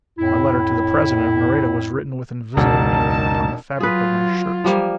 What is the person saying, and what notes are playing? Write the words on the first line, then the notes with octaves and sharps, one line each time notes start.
My letter to the President of Nareda was written with invisible ink upon the fabric of my shirt.
F2 A2 E4
E1 C#2 F#2 D#4 A#4 A5
F#3 F4 G#4 B4
F3 G3 A#3